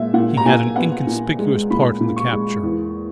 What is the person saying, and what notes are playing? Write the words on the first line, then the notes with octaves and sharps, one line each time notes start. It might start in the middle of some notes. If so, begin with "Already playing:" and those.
He had an inconspicuous part in the capture.
Already playing: A#2 G#3 E5
A#2 F#5
A#5
A#2 G#5
B3 F#5
A#2
G#3
A#2 B5
A#2
C#6
G#3
E2